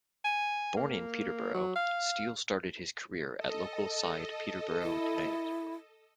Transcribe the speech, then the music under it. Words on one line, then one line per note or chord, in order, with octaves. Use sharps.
Born in Peterborough, Steele started his career at local side Peterborough United.
G#5
A#3
F#3
F5
A4 D#5
E4